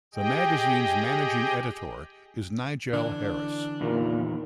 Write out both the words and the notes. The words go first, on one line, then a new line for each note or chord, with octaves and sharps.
The magazine's Managing Editor is Nigel Harris.
G4 G#4 D#5 G5
D3 E3 D4
E2 A#2 D#3